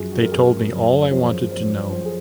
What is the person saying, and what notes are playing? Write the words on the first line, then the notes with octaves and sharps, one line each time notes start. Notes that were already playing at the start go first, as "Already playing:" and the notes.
They told me all I wanted to know.
Already playing: F#2 F3 F4 F#4 G#4
F#4
A#4
F#2 G#4
F#2
C#5
F3 C5
F#2 C5
F3 C5
G#4